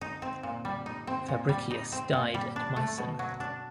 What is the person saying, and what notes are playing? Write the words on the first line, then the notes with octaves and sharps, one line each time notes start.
Fabricius died at Meissen.
D#4
C4
A#2
G3
D#4
C4
A#2
G3
D#4
C4
A#2
G3
D4
A3
B2
F#3
D4